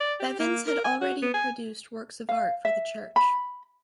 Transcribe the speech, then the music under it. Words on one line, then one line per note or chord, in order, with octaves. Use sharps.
Bevans had already produced works of art for the church.
D5
G4
A#3
A#4
G#5
F#4
B3
G#5
F5
E5
B5